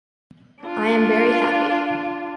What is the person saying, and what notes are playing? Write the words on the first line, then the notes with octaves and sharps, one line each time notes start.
I am very happy.
D4 F4